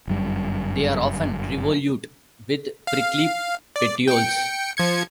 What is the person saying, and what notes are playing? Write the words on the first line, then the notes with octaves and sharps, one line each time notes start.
They are often revolute, with prickly petioles.
G1 F#2 G3
F5
D5
G5 C#7
F3 G#6 C#7